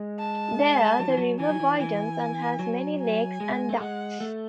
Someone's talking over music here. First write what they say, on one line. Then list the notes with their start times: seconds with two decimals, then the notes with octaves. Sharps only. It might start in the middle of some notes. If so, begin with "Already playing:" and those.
There, the river widens and has many lakes and ducts.
Already playing: G#3
0.19 A5
1.00 F#3
1.08 E3
1.17 F#3
1.40 E3 G#5
1.50 F#3
1.60 E3
1.80 E3 G#5
2.59 F#3
3.00 G#5
3.40 G#3
3.69 A3
3.80 G#3 F#5
4.21 A3